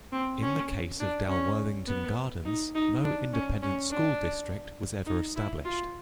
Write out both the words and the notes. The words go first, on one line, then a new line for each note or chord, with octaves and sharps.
In the case of Dalworthington Gardens, no Independent School District was ever established.
C4
C#4
D4
C#4
B3
D#4
D#4
D4
C#4
C#4
D4
D#4
E4
F4